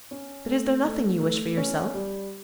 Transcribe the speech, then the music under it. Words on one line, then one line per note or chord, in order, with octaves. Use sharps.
But is there nothing you wish for yourself?'
C#4
A3
A3
A3
C#4
G3